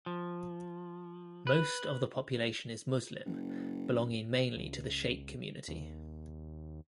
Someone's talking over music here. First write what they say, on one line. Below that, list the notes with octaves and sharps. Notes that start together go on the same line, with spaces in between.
Most of the population is Muslim, belonging mainly to the Shaikh community.
F3
B4
F#1
C#2
D#2